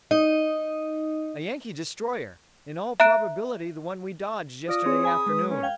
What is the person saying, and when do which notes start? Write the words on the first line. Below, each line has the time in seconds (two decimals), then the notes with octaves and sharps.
"A Yankee destroyer--in all probability the one we dodged yesterday afternoon."
0.11 D#4 D#5
3.00 E5 A#5 F#6 D7
4.68 F4 D5 D#6 A#6
4.86 C4 G#4 C#5
5.03 G#4 G#5 B5
5.26 G#3 B4
5.49 C#4
5.63 F5 G5 G#6